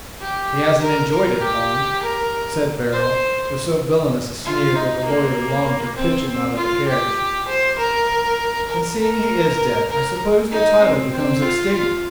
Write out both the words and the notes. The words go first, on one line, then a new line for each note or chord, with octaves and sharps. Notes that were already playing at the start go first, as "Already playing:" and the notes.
"He hasn't enjoyed it long," said Beryl, with so villainous a sneer that the lawyer longed to pitch him out of the carriage, "and seeing he is dead I suppose the title becomes extinct."
G4
A#4
A#4
G4
A#4
C5
F4
D#4
A#3
C4
C4
F4
G4
C5
A#4
A#4
A#4
A#4
D#4
C4
C4
F4
F4